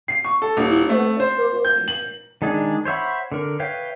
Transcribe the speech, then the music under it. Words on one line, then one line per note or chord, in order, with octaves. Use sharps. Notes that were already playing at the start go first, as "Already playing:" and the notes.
Hippies would also smoke opium here.
C7
C#6
A4
D#1
A3
C5
G6
F#7
D#3 G#3 D4 G#4
C5 C#5 E5 F#5 B5
D3 A#4
B4 C#5 E5 F5 G5